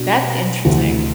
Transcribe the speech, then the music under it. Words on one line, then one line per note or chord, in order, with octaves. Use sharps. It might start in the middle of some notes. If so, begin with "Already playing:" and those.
That's interesting.
Already playing: B2 D4 F#4
D2 C3 E3